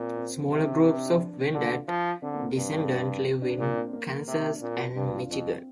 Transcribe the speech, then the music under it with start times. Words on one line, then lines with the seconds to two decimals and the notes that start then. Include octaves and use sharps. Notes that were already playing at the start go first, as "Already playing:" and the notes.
Smaller groups of Wendat descendants live in Kansas and Michigan.
Already playing: A#2 C4
0.17 C4
0.51 C3
0.85 D4
0.96 C4
1.05 D4
1.54 D3 F4
1.88 F3
2.22 D3 C4
2.34 A#3
2.39 C4
2.57 G2
3.25 C4
3.42 D4
3.58 A#2 A#3
3.76 C4
3.93 A#3
4.28 C3
4.55 D4
4.61 A#2 C4
4.95 G2
5.15 F4
5.23 D4
5.30 F2 C4